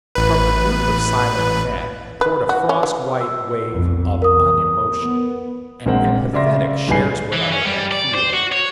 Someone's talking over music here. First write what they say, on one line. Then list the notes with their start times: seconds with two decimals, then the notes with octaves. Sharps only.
From the group of silent men poured a frost-white wave of unemotion. An empathetic shares what other men feel.
0.15 A1 B4
2.21 B4
2.49 F#4
2.69 C#4
2.83 E3
3.21 E6
3.68 B1 F2
4.22 E2 A#4 D#6
4.98 B3
5.86 A#1 G#3 A#3 C4 F#5
6.33 C#3 D5 E5 C6 A#6
6.88 B1 G#2 G3 B4 G#5 C7
7.33 E3
7.53 C#4
7.65 G3
7.92 D5
8.15 C5
8.34 F#4
8.52 C#5